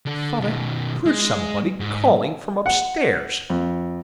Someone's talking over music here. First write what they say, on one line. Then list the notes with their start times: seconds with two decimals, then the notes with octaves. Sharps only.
I thought I heard somebody calling from upstairs.'
0.06 D3 A4
0.41 B2 D#3
1.06 G#3
1.80 G#2
2.66 F#5
3.50 F2